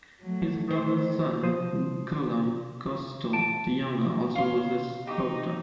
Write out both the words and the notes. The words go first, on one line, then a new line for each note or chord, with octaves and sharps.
His brother's son, Guillaume Coustou the Younger, also was a sculptor.
F#3 A3
D#3 A3 C5
F3 C5 D#6
A5 D7
C#4 F5 C6
D#4 G4